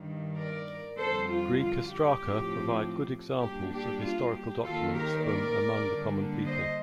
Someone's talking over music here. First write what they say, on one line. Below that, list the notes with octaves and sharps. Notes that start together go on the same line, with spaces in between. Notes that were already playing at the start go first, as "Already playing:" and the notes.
Greek ostraka provide good examples of historical documents from "among the common people".
Already playing: G2 D#3 G3
A#4 D5
F2 D3 G3 A4 C5
F4
F4
G4
A2 F3 C4
A#2 G3 D4 G4
G4
F4
G4
D#2 D#3 A#3 F4 A4
G4 A#4
A#4 D5
D3 G3 A#3 D4
C5 D#5